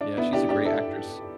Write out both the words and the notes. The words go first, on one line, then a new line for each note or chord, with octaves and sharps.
Yeah, she's a great actress.
D4
B3 E4
D4 G4
D4 G4
E4 A4